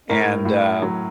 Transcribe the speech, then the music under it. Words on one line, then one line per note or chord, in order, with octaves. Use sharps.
And, uh, w
A2 A#4 A#5
A2
F#3